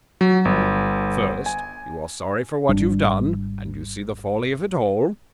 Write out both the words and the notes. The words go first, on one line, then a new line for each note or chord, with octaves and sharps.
First, you are sorry for what you've done, and you see the folly of it all?'
F#3
G1
G#5
G#1 G3 D4